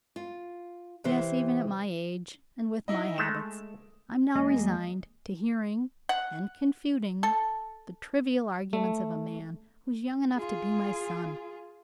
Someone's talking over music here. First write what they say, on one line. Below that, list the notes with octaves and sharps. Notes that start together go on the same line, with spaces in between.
Yes! even at my age, and with my habits, I am now resigned to hearing, and confuting, the trivial arguments of a man who is young enough to be my son.
F4
C3 E3 C5
D#4 E4 D#5
G#3 A3 E7
E2 G#3 A#3 D#5 G#5
F#5
A4
A3
F4 G#4